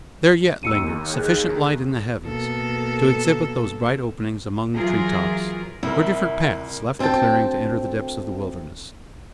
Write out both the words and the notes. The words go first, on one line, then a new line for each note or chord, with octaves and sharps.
There yet lingered sufficient light in the heavens to exhibit those bright openings among the tree-tops, where different paths left the clearing to enter the depths of the wilderness.
D#2 E6 C#7 D#7
G#4 G5 F#6
B2 A#3 A4
E3 F#3 F4 G#4 A#4
C2 E4 A#4
D2 C4 F#5 G5 A5